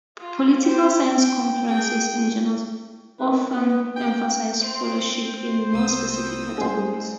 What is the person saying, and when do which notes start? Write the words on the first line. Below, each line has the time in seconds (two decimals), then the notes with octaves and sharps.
Political science conferences and journals often emphasize scholarship in more specific categories.
0.19 F4
0.61 G4 C5
1.18 G5
1.66 G#4 G5
3.19 D#3 B4
3.52 B3
3.96 G5
4.61 C4 C5
5.73 C2 D#6 E6
6.58 G3 C#4 G#4 C5